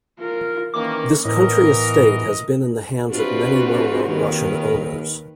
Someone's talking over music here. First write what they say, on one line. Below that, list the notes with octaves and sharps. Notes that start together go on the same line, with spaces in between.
This country estate has been in the hands of many well known Russian owners.
F4 A#4
D#3 E3 A#3 C#4 D6
A2 E3 B3 A#4 D#5
C3 C4 D4 F4 F#4 B4
D#2 D#3 A#4 B4